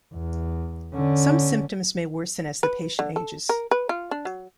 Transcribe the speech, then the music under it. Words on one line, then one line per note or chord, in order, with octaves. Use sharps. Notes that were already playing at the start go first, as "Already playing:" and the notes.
Some symptoms may worsen as the patient ages.
E2
D3 C#4
B4
D3
A4
A#4
B4
F4
D4
F#3